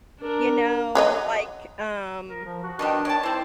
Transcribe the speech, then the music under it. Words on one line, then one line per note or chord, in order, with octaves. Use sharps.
you know, like, um,
D4 A#4
F#3 C#5 D#5
A#4
F3
F#4
B2 D#3 G3 D4
C#5 D5 A5
C4 E4 C5